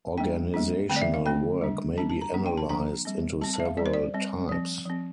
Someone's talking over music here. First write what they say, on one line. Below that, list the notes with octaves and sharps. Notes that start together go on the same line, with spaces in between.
Organizational work may be analyzed into several types.
G3 A#3 D4 G5
G3 A#3 D4
D3 A3 C4 G5
D5
E5
F5
D3 A3 C4 G5
G3 D4
G3 D4 A5
A5
A#5
F3 A#3 D4
G5
A5
F3 A#3 D4 A#5
G3 C4
G3 C4 A5
A5
E5
F5
G3 C4 D5
C5
D5
G3 C4
F3 C4
F3 C4